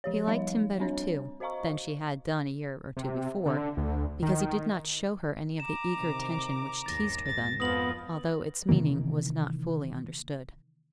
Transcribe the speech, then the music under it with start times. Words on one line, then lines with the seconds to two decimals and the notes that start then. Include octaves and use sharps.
She liked him better, too, than she had done a year or two before, because he did not show her any of the eager attention which teased her then, although its meaning was not fully understood.
0.04 F3 G4 C#5
0.27 F3 G3 D#4 C#5 F5
0.78 G3 C4 D4 C#5
1.40 F#4 C5 D#5 F5 A#5 C#6
2.97 C3
3.46 D3
3.77 D2
4.22 D#3
5.60 A#5 D6 E7
5.94 C3 D#3
6.86 G1 D#2 A6 A#6
7.26 G#1 A6 A#6
7.60 F2 F3 B3 D#6 A#6 F#7
8.69 C3 D#3 E3 A#3